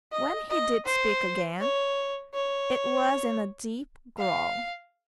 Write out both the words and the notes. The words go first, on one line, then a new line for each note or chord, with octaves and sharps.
When he DID speak again, it was in a deep growl.
D#5
D#5
C5
C#5
C#5
F5